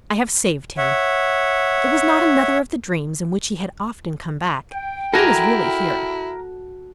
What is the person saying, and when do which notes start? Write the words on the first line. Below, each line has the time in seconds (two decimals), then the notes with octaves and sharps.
"I have saved him." It was not another of the dreams in which he had often come back; he was really here.
0.78 C#5 E5 F#5
4.73 G5
5.14 E4 F#4 A4 A#4 G#5 A#5